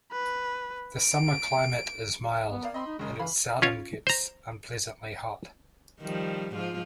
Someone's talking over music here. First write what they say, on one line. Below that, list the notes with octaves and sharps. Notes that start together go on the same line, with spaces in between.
The summer climate is mild, and it seldom gets unpleasantly hot.
B4
D7
B3
A#4 D5 F5
C4 D#5 B5 C6
D#4
F#1 C#3 G#3 A#4
E3 F5 B5
C#4 F4 C#5
C5 A#5
D#3 F3 G3
G#2 F3 F4